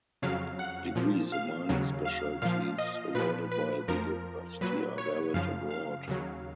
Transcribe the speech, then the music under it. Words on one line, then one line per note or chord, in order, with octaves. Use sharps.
Degrees in mining specialities awarded by the University are valid abroad.
F2 C#3 F#3 F5
F#5
A#2 F3
F5
D#2 C#3 F#3
F5
A#2 F3 F5
D#5
A#2 F3 B4
B4
F2 F3 A#4
A#2 F#3 B4
C#5
F#2 C#3 F3 F5
F5
D#2 C#3 F#3